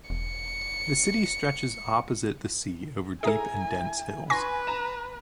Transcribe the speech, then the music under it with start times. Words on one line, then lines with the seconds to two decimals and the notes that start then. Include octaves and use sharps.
The city stretches opposite the sea over deep and dense hills.
0.10 E1 C#7
3.23 E4 G#4 A4 G#5 A#5
4.30 B4 G#5 C6 C#6 A#6
4.67 A#5 E7